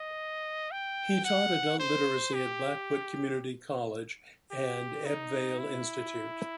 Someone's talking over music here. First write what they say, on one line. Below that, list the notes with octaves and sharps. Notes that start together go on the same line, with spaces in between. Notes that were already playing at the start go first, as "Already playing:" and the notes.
He taught Adult Literacy at Blackwood Community College and the Ebbw Vale Institute.
Already playing: D#5
G5
F#5
C5
G4
G4
D#4
E4